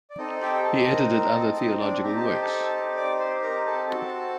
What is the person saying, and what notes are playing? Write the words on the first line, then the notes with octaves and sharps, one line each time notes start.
He edited other theological works.
D5
C4 D#4 A4 D#5
G4 G5
G5
A4 A5
A#4 A#5
A#4 A#5
A4 A5
D#4 D#5
D4 D5
C4 D#4 G4 A#5
A5
G5
A4 A5
D5 D6
C5 C6
A#4 A#5
A4 A5
C4 F#4 A4 A5